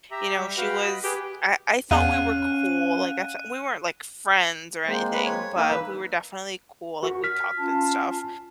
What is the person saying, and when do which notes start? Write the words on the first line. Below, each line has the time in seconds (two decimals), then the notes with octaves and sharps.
you know, she was I I thought we were cool, like I th we weren't like friends or anything, but we were definitely cool, like we talked and stuff,
0.11 G4 E5 A#5
0.41 G3
0.57 F#4 B4 F5 G5
0.81 D#5 B5
1.04 G4 G#4 B4 G5
1.91 E2 C#4 F5 F#5 G#5 F#6 D#7
4.86 G#3 A#3 C4 C5
5.13 B4
5.26 C#5
5.57 A#3 D#4 E6
5.71 E3 B4
7.03 F#4 A#4 C#6
7.24 F6 B6
7.57 C#4 F4 A5